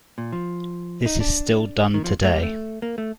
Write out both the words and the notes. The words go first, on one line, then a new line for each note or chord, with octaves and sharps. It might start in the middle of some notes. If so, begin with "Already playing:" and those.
This is still done today.
A#2
F3
D#4
D4
D#3
F3
A3
G3
A3
A#3
A3